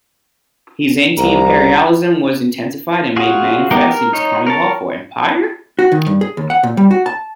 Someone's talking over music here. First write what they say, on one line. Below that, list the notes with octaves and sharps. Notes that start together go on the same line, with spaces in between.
His anti-imperialism was intensified and made manifest in his Commonwealth or Empire?
C2 A#5
F4 F#4 G#4
G#3 B3 D#4 G4 A#4
A#4
D#4 C#5
A#4 C#5 A5
F#4
D#3
G2
G#4
D#2
F#5
A#2
G3
F#4
A5